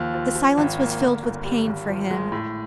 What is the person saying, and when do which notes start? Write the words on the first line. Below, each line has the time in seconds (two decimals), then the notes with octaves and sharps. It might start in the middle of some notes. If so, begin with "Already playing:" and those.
The silence was filled with pain for him.
Already playing: D#2 F3
0.14 F3
0.35 F3
0.58 G#1
0.79 A#3
1.01 D3
1.23 G1
1.45 G3
1.67 G#1
1.89 F3
2.11 G#3
2.32 A2